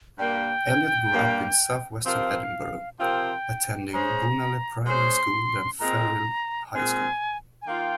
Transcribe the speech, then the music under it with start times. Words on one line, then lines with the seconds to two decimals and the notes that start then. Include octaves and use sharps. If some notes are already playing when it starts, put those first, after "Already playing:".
Elliot grew up in south-western Edinburgh, attending Bonaly Primary School then Firrhill High School.
0.18 G2 G3 A#3 G5
1.12 G2 G3 A#3
2.05 C3 F3 C4 F4 A#4 F5
2.99 C3 F3 C4 F4 A#4 G5
3.93 G#3 C#4 G#4 C5 A#5
4.86 G#3 C#4 G#4 C5 C6
5.79 A#2 G#3 C4 A#5
6.73 A#2 G#3 C4 G#5
7.62 G#5
7.67 D#3 A#3 F4 G5